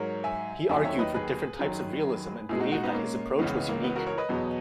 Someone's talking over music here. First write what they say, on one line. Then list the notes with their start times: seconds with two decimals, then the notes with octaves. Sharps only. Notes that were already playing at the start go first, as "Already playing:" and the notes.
He argued for different types of realism and believed that his approach was unique.
Already playing: G#2 F#3 A#4 C#5
0.24 E5 G#5
0.69 D#2 D#3 F#3 E5 G#5
0.84 C#5 E5
0.99 B4 D#5
1.14 G#4 B4
1.59 F#2 D#3 F#3
2.49 A#2 G#3 E4 G#4
2.60 D#4 F#4
2.72 D#4 F#4
2.83 B3 D#4
2.94 A#3 C#4
3.39 C#2 C#3 E3 G#3 B3
3.54 B3
3.69 A#3
3.84 B3
3.96 F#4 A#4
4.06 A#4 C#5
4.18 B4 D#5
4.29 E2 B2 F#3